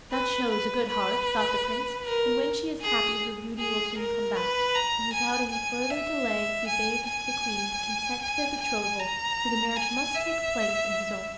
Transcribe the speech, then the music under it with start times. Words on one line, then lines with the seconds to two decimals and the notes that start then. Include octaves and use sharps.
'That shows a good heart,' thought the prince; 'and when she is happy her beauty will soon come back.' And without any further delay he begged the queen to consent to their betrothal, for the marriage must take place in his own country.
0.11 B4
0.50 B4
0.88 B4
2.05 A#4
2.81 G#4
3.58 G#4
3.97 A#4
4.36 B4
4.74 A#5
5.12 G#5
5.51 G#5
5.90 E5
6.67 G#5
7.06 G#5
8.22 G#5
8.61 G#5
8.99 A#5
9.76 G#5
10.14 E5